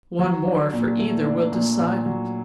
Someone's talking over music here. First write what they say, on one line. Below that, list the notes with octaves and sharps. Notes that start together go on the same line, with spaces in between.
One more for either will decide it.
F#3
D4
A#2
A3
D4
A#2
A#2
F#3